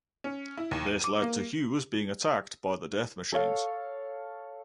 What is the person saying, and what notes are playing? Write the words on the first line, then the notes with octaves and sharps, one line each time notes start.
This led to Hughes being attacked by the Death Machines.
C#4
E4
D#2
D#7
D6
A#3
A4 C#5 F5